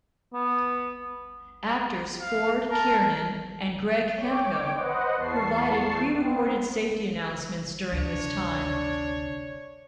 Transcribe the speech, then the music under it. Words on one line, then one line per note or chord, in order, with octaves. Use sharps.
Actors Ford Kiernan and Greg Hemphill provided pre-recorded safety announcements during this time.
B3
F5
A#4 A5
C#5 G5 D6
B4 C5 D#5 F#5
E2 A5 C#6 C7
B3 C4
D2 C3 D4 C#5